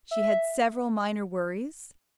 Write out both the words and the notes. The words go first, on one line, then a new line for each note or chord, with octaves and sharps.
She had several minor worries.
E5